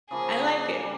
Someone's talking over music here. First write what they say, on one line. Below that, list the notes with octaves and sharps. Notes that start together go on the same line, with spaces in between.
I like it.
C#3 F3 A#3 G#4
G3